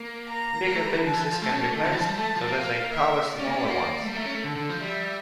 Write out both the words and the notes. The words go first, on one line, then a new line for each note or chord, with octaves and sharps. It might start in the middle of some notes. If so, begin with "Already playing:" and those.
Bigger pieces can be placed so that they cover smaller ones.
Already playing: A#3
A#5
A#3
A3
G3
E3
D3 A5
E3
F3
A3 A5
C#4
A#3
A3
A5
D3
E3
F3
G3
A3 A5
F3
A#3
F5
E5
D5
C#4
A#3
C#4
A3
A#3
A3
G3 A#4
A3
C#4
A3
D3 A4
D3
F3
G3 E5